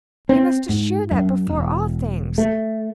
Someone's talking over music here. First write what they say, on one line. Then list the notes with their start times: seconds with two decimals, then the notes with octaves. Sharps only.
You must assure that, before all things.
0.29 C4
0.69 G#2
1.11 F#2
1.50 E1
2.38 A3